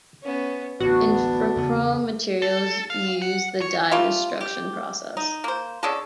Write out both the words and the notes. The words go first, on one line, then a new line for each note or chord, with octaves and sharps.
Ilfochrome materials use the dye destruction process.
B3 C#4
A1 D2 B3 D4 F#4
E2 C#3 B3 A4
A4
F5
F#5
C#5
G3 A3 F4
G4
D#4
A#3 C5
D3 G#3 C#4 A4